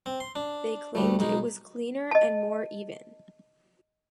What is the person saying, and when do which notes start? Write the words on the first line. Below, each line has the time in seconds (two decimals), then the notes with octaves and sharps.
They claimed it was cleaner and more even.
0.06 C4
0.20 C6
0.36 D4
0.95 D2 G3 A3
1.19 B1 G#3 D#4
2.11 D#5 A5